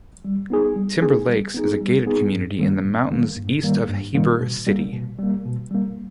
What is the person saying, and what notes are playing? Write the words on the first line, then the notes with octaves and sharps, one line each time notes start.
Timber Lakes is a private gated community in the mountains east of Heber City.
G3
B3 D#4 G#4
G3
B3 D#4 G#4
G3
B3 D#4 G#4
G3
B3 D#4 G#4
G2
D#3 G3 A#3
G2
D#3 G3 A#3
G2
D#3 G3 A#3
G2
D#3 G3 A#3
B2
G3 A#3
B2
G3 A#3
B2
G3 A#3